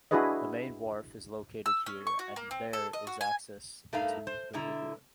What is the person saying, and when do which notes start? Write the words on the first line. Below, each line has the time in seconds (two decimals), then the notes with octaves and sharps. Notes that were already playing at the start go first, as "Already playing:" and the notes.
The main wharf is located here, and there is access into the lagoon.
0.11 D4 E4 F#4 G#4 B4 D#5
1.66 E6
1.86 C#4
2.07 C#6
2.19 F#4
2.36 A#3
2.51 C4
2.73 A4
2.93 D#5
3.07 F#4
3.21 G#5
3.93 G2 A3 D#4 A#4 F5 A#5
4.27 C5
4.53 B2 D3 E4 A#5